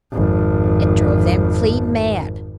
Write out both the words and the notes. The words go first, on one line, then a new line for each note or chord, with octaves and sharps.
It drove them clean mad.
G#1 F2